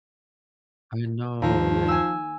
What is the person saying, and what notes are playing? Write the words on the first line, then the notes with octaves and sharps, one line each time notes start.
I know, yeah.
D#2 F3
G#5 E6